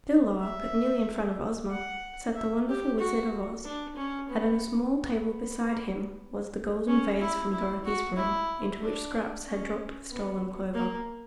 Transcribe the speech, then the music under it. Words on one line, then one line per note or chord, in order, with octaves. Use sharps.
Still lower, but nearly in front of Ozma, sat the wonderful Wizard of Oz and on a small table beside him was the golden vase from Dorothy's room, into which Scraps had dropped the stolen clover.
E5
F#5
E5
G4
F#4
D4
C#4
B3
B3
C#4
E4
E4
F#4
E4
D4
C#4
B3
A#3